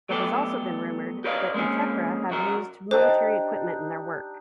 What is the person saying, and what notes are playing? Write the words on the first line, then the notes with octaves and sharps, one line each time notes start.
It has also been rumoured that Autechre have used military equipment in their work.
F#3 A3 B3 G4 A4 D5
G4 A#4 B4 C#5 D5 F5
G#3 A#3 C4 C#4 G#4
C2 F#2 F#3 F#4 A#4
D4 D#4 G4 C5